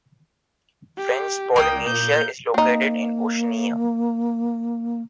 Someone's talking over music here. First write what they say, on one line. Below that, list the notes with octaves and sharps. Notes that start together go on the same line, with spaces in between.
French Polynesia is located in Oceania.
G4
C#2 A#3 G5 C6 D#6
A#2 G6
A#3 C4 D#4